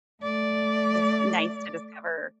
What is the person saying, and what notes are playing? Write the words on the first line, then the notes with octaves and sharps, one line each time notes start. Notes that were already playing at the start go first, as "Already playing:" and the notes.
it's nice to discover
A3 D5